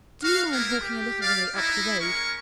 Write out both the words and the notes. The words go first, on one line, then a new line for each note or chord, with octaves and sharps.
Do you mind walking a little way up the road?
F#4 F5
A#3 B3 E4 A#4
G4
D5 F5
D#4 E4
G#3 C#4 A#4 C#6